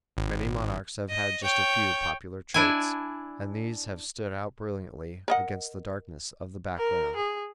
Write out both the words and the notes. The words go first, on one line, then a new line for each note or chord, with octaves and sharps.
Many monarchs have had just a few popular traits, and these have stood out brilliantly against the darkness of the background.
G#1
D#5
C#5 G5
D4 E4 G#5
A#4 D#5 F#5
A#4
G#4